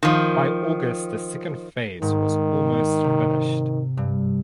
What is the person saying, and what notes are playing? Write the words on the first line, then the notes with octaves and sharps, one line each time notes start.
By August the second phase was almost finished.
D#3 F3
G#2 D#3
C3
G2